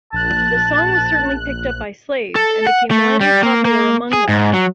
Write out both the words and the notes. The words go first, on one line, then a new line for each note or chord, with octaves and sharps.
The song was certainly picked up by slaves and became widely popular among them.
A#1 A5 F#6
A4
F#5
A3
G3
A#3
A#3
G#4
G#2
F#3